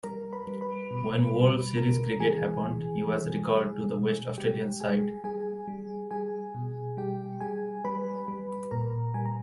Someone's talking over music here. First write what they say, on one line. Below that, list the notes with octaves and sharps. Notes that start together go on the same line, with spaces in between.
When World Series Cricket happened he was recalled to the West Australian side.
G3 A#4 A#5
B4 B5
G3
B4 B5
B2
G3
C#3 A#4 A#5
E3 G#4 G#5
E3
E3
G3
B2
G3 G4 G5
G3 G#4 G#5
G3 G#4 G#5
G3
G3 G#4 G#5
B2
G3 G4 G5
G3 G#4 G#5
G3 B4 B5
G3
A#2 A#4 A#5
G3 G#5
A#5